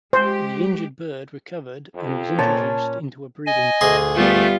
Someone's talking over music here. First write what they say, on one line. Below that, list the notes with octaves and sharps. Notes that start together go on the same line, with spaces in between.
The injured bird recovered and was introduced into a breeding programme.
G#3 G4 C5
F2
A#2 C#4 A5
D#5 G#5
D2 G#4 C6
G3 A3 B3 F4